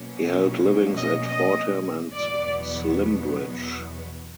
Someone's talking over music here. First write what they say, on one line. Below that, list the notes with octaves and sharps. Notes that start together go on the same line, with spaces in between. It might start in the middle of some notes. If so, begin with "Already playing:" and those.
He held livings at Fordham and Slimbridge.
Already playing: B2 F#3 A#3 C#4
D#5
D#5
E2 B2 F#3 B3 D5